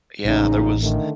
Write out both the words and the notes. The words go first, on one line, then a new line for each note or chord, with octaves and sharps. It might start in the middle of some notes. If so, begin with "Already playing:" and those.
Yeah, there was
A1 G#2 C#3 D#4
D3 D#3 A3